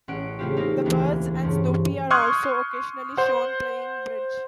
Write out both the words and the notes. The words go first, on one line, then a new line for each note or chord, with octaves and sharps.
The birds and Snoopy are also occasionally shown playing bridge.
A1 C#4 F#5 D7
C#3 G3 A3 C4 F4 G4
A#3 D#4 A4
E1 D2 E3 A#3 D4 G#5
G2 C#3 C4 C#4
C6 C#6 D#6 F6 F#6 G#6
C5 F#5